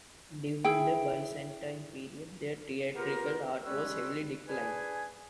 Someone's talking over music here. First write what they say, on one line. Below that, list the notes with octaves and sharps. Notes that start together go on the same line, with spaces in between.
During the Byzantine period, the theatrical art was heavily declined.
E4 G#4 G5
B3 F4 G4 A#4
G3 G#3 C#4 B4 C#5 E6
D4 G#4 B4 G#5